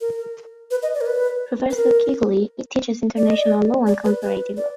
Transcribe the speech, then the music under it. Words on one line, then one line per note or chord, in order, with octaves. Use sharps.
Professor Quigley teaches international law and comparative law.
A#4
B4
D#5
D5
A#4
B4
B4
A#4
D5
D#5
D5
D5
B4
B4
D5